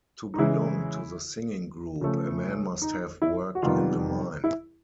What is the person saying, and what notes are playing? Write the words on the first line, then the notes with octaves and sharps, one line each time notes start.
To belong to the singing group, a man must have worked in the mine.
D#4
C#3 E3 G#3 E4
C#3 F3 A3
D#4
E4
F#4
F2 C3 D#3 G3 B3 F4
E4